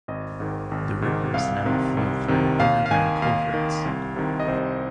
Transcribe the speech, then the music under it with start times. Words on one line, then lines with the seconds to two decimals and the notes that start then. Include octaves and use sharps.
The rivers now flow through underground culverts.
0.08 G#1 D#5
0.40 G#2 D#3
0.71 G#1
1.02 G#2 D#3
1.34 C2 F5
1.65 C3 D#3
1.97 C2
2.28 C3 D#3
2.60 D#2 F5
2.86 F5
2.91 D#3 G#5
3.22 D#2 F5
3.54 D#3
3.85 C2
4.16 C3 D#3
4.40 D#5
4.48 C2 C5